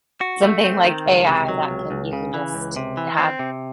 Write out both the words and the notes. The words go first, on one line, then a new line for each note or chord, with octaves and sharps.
something like AI that can you can just have
F#4
A3
C4
D#3
C#2
C3
F#3
C#2
C#2
C#3
E3
C#2
C3
E3
C4
C3